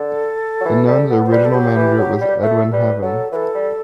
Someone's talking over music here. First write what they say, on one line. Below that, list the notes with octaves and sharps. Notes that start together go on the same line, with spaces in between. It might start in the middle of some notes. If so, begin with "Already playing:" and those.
The Nuns original manager was Edwin Heaven.
Already playing: D3 A4
F#3
E3
G3
B3
C5
G3 B4
A4
F#3 G4
E3
F#3
G3
A3 A4 B4
G3 B4
F#3 A4
E3 A4 B4
G3